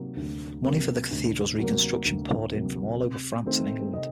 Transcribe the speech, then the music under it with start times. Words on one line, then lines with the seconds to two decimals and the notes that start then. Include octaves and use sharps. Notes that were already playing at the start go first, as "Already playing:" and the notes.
Money for the cathedral's reconstruction poured in from all over France, and England.
Already playing: C3 F#3 A#3
0.17 D2
0.63 C3 F#3 A#3
1.11 D2
1.58 C3 F#3 A#3
2.05 D2
2.52 C3 F#3 A#3
2.99 C3
3.46 D#3 A3 C4 D#4
3.93 C3 D#5